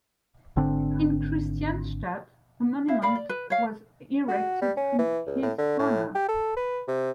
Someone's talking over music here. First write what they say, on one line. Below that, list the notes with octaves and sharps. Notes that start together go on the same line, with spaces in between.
In Kristianstad, a monument was erected in his honor.
G#1 D3 C4 D4
E4 E5 F5
A#4 D5 F5 B5
D5
B4
C#5 F5
F#4
G3
C#4
E3
C#2
A2
D3
A2
G4
A4
B4
C3